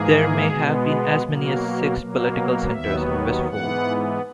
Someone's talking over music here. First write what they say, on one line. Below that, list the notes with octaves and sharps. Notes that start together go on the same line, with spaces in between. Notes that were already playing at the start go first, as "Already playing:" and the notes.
There may have been as many as six political centers in Vestfold.
Already playing: G#2 E3 A#3 G#4
B2 G#3 B3
B2 F#3 A#3
B2 F#3 A#3
D#2 D#3 F#3 B3 E5
G#2 E3 B3 F#5